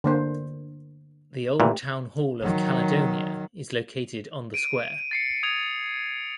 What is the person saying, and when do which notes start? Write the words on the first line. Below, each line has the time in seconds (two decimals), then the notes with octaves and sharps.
The Old Town Hall of Caledonia is located on the square.
0.04 D3 A#3 C5
1.60 A#2 E3 A3 G4
2.41 D#3 F#3
4.54 D7 D#7
5.11 A6 C7 C#7
5.43 D#6 G#6 F7